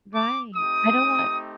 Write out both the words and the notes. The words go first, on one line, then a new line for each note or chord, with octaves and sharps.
Right. I don't want
D6
A3 C4 D#4 G4 D#6